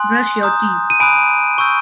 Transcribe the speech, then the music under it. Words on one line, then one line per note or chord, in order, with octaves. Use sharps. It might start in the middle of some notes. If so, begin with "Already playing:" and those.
Brush your teeth.
Already playing: G#5 C6 D#6 F#6
A#5 D#6 G6
D#7
G#5 B5 D#6 F#6 D7
C#6 E6 G6